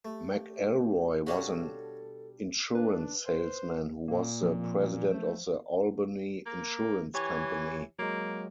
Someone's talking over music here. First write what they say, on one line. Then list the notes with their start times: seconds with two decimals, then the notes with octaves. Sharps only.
McElroy was an insurance salesman who was the president of the Albany Insurance Company.
0.05 A3 G4
1.27 B2 G3 D4 F#4 A4 C#5 F5
2.75 D4 B4
3.26 C5
4.08 A#2 A#3
4.43 F3 C4
5.12 A3 C5
6.46 A#3
7.14 E3 G4 C#5 G#5
7.99 F#3 G#3 A#3